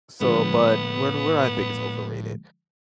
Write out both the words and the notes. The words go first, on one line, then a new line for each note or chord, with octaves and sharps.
So, but where do where do I think it's overrated?
A2 D3 F3 G#3 B3